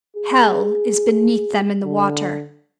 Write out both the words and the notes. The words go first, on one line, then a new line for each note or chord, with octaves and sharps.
Hell is beneath them in the water!
G#4
D3